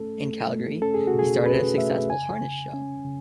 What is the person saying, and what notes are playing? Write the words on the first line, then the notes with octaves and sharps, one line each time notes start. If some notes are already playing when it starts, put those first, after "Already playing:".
In Calgary, he started a successful harness shop.
Already playing: A3 C#4 A4
A3
A3
C#4 A4
G#4
F#4
B2 G#4
C#4 B4
A3 E5
C#3 G#5
C#3
C#4
C#3